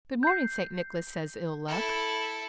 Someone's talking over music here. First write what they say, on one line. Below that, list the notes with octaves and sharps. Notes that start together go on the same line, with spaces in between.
"Good-morning, St. Nicholas," says Ill-Luck.
G6 C7
E4 A4